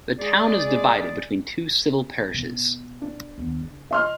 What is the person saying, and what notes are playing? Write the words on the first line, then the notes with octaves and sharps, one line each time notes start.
The town is divided between two civil parishes.
G#3 G#4 D5
B2
D4
D#2 B3
F#1
D#5 C6 F6